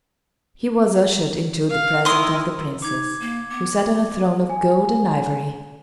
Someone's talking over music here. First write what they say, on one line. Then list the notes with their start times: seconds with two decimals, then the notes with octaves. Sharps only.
He was ushered into the presence of the Princess, who sat on a throne of gold and ivory.
1.69 F5
2.05 D#3 E4 C6 D#6
2.82 D#4 D6 G#6
3.20 A#3
3.51 B3 D6
4.49 G#5